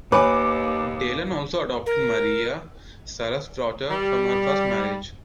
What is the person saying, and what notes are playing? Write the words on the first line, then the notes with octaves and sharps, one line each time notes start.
Dylan also adopted Maria, Sara's daughter from her first marriage.
D#2 B4 C#5 G#5 D6
A#4
G3